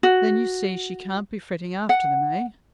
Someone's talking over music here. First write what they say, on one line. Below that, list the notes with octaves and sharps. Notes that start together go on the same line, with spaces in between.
'Then, you see, she can't be fretting after them, eh?
F#4
F#5